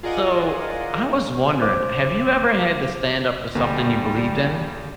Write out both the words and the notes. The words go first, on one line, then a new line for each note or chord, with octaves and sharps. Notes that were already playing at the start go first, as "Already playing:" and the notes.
So, I was wondering, have you ever had to stand up for something you believed in?
F4 G#4 A#4 D5 D#5 F#5
C5 D6
D2 D3 G3 A#3 B3